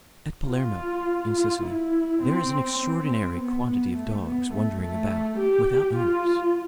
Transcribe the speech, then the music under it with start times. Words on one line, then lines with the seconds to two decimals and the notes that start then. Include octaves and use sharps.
At Palermo, in Sicily, there is an extraordinary quantity of dogs wandering about without owners.
0.48 F4
1.35 F4
1.64 E4
2.22 C4
2.79 C4
3.37 B3
3.66 B3
3.95 A3
4.23 B3
4.53 A3
4.81 A3
5.38 G4
5.97 F4